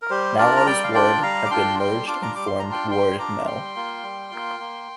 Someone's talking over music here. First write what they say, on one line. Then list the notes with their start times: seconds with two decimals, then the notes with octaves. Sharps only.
Now all these ward have been merged and formed ward no.
0.02 A#4
0.10 G3 G4 C5
0.38 D4 F4 A#4 D5
0.57 A#5
0.66 G3 D5 G5
0.84 F5
0.94 D4 F4 D5 G5
1.23 G3 F5 A#5
1.46 D6
1.51 D4 F4 G5 C6
1.79 G3 G5 C6
2.07 D4 F4 D6
2.14 C6
2.22 A#5 D6
2.35 G3 D6
2.47 C6
2.60 D4 F4 A#5
2.71 G5 C6
2.91 G3 G5 C6
3.19 D4 F4 A#5 D6
3.47 G3 G5 C6
3.75 A#3 F4
4.03 G3
4.31 A#3 F4
4.59 A#3